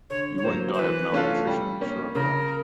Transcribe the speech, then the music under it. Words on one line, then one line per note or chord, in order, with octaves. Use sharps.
You won't die of malnutrition, be sure of that.
D3 C#5
C#5
F#3 A#3 C5
C5
E3 B4
A3 C#4 F4 A4
G3
A#3 C#4
C#3 A#4